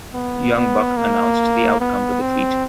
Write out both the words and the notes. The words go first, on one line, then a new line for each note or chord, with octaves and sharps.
Young Buck announced the outcome with a Tweet.
B3
B3
A#3
B3
C4